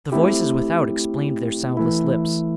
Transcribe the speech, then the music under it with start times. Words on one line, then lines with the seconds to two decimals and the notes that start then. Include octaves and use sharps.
The voices without explained their soundless lips.
0.12 A3 C4 E4 G4
1.77 E3 A3 E4